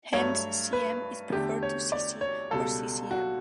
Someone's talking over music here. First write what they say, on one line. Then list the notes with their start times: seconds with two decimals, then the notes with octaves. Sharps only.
Hence cm is preferred to cc or ccm.
0.13 G2 F#3 A3 C#5
0.73 B4
1.32 E2 D3 A3 G4
1.63 C#5
1.92 D5
2.21 C#5
2.51 C#2 B2 G3 A4
3.11 F#4